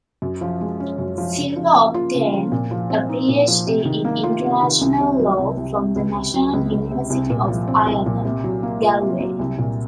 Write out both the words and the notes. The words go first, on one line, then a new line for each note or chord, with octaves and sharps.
Silva obtained a PhD in International Law from the National University of Ireland, Galway.
F#2
F3
G#3
C#4
F#2
F3
C#3
F3
A#3
F4
C#3
F3
A#2
F3
C4
D#4
A#2
F3
C3
D#3
A#3
F4
C3
D#3
C2
C3
F#3
C2
C2
C3
C#2
C3
F#3
C#2
C#2
C3
C2
A#2
F3
C4
C2
A#2
C3
F#3
A#3
F4
C3
F#3
C2
A#2